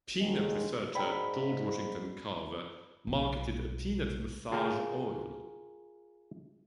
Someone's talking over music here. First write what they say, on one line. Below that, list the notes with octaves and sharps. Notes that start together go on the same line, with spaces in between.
Peanut researcher George Washington Carver marketed a peanut massage oil.
A#1 D#2 D3 D#3 G#3
G#2 D5 G5 A#5 B5
B1
F4 G#4 A#4 F5 G5